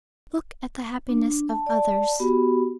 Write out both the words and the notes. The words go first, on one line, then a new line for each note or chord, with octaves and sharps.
"Look at the happiness of others."
D4
A5
D5 A5
B3 F#4 G4 B5